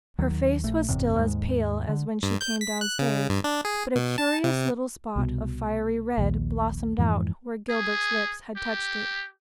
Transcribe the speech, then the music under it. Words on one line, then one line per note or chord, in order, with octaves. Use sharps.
Her face was still as pale as when she came downstairs, but a curious little spot of fiery red blossomed out where Gilbert's lips had touched it.
D#2 D#3 F#3
A#1 A3
F#1 E2 G#2 C3
D#2 G#2 G#3
D3
G2
G6
B6
F#6
C#3
G2
D4
G#4
B2
A5
C3
C2 B2
A#1 D#2
F2 G#2 E3
G#4
G4